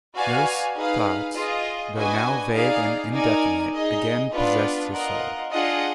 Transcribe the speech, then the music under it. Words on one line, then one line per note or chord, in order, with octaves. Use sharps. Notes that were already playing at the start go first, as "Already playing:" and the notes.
And those thoughts, though now vague and indefinite, again possessed his soul.
F#4 B4 D5 F5 G#5
D#4 G#4 B4 F5
F4 G#4 D#5
D4 F#4 B4 D#5 G#5
D#4 G#4 D5 F5
D#4 A#4 D5 G#5
D#4 G#4 D#5
B3 D4 F4 B4
F4 A#4 D#5 F#5
D4 F4 G#4 D#5 F#5